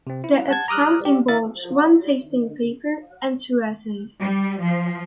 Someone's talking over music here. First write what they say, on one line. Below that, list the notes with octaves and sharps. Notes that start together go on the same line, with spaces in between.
The exam involves one tasting paper and two essays.
C3 C4
E4
F#5 A5 G#6
A#5 D6 D#6 F6 F#6
G4 D5
E4 A#4 E5 A6
G3
F3